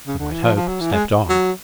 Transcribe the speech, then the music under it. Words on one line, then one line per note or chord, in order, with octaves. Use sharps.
The White Hope slept on.
C#3
D3
E3
F3
F3
F#3
E3
G#3
F#3